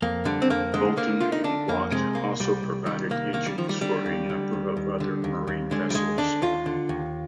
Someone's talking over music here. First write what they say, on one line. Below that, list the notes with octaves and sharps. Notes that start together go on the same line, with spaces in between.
Boulton and Watt also provided engines for a number of other marine vessels.
F2 A#3
D3 G3
C4
F2 A#3
D3 G#3
D3 A#3
D3 F4
D#4
D3 D4
F2 A#3
C3 G#3
C2 A#3
C2 G3
C2
D#3 G3
C2 A#3
D#3 A#3
G3
D#3 F3
G3
D3 G3
D#2
D3
D#2
D#2
D3
D#2
D#2
D3 G#3
G3
D#2 G#3
D3 D4
D#2 F4
D3
D#2